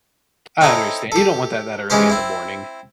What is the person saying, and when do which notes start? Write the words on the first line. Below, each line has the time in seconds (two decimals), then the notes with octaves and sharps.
I understan you don't want that that early in the morning.
0.61 C4 D#4 E4 A4 C#5
1.12 G4 A4
1.90 E3 G#3 C#4 G4 C5
2.10 C4 E4